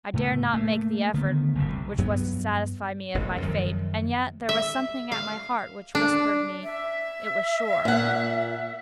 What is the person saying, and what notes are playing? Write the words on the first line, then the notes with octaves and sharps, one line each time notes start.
I dared not make the effort which was to satisfy me of my fate--and yet there was something at my heart which whispered me it was sure.
A2 C#3 A3
A3 A#3
D3 D#3 A3 B3
F#1 C#2 G#2 C3
C2
G2 F#3 B3
E1 A1 G#2
F#2 D#3 F3
E5
F5
D4
E5
A#2 F#5